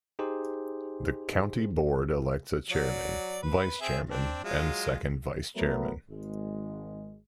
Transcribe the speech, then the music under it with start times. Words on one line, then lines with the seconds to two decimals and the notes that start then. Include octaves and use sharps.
The County Board elects a chairman, vice-chairman, and second vice-chairman.
0.19 D#4 G4 G#4 C5
2.71 F#3 D5
3.42 B4
3.81 C4 G#4 E5
4.10 C4 D4
4.44 F#3 G#3 F4
5.55 F#3 A3 B3 A#4
6.09 G#1 G#3